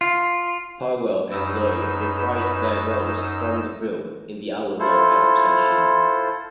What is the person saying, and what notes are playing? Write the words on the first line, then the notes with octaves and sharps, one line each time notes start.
Powell and Loy reprised their roles from the film in the hour-long adaptation.
F4
F#2 D#4 B4 E6
E4 F4 A4 C5